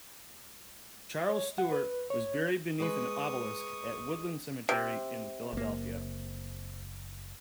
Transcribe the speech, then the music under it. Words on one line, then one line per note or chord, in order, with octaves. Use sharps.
Charles Stewart was buried beneath an obelisk at Woodland Cemetery in Philadelphia.
C#5
F#5
B4
C#5
G#3 B4 C#6 D#6
C3
F#1 A#3